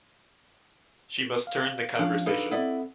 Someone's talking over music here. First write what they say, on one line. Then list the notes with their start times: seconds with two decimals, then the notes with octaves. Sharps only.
She must turn the conversation.
1.47 F5
1.99 F3 C#4 D4 F5
2.26 D3 D#4 B4 F5
2.51 C4 E4 A4 D5 D#5 F#5